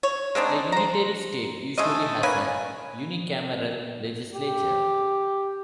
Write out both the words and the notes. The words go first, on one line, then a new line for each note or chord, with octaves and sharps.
A unitary state usually has a unicameral legislature.
C#5
G#3 C4 D4 D#4
C5 A#5
G#3 A3 D#5
A#3 C#4 B4 G#5
G4